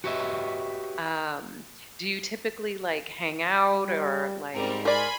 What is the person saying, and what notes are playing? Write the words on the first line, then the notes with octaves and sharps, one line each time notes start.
Um, do you typically, like, hang out or, like,
F#4 G4 B4 C#5 D#5 E5
G3
G#2 G3 C4 A#4
A#4 D5 G#5 B5 C6